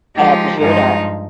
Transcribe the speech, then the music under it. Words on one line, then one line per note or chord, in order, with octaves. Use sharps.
Sad to hear that.
F3 G#3 D#4 G4
G2 F3 G#3 D#4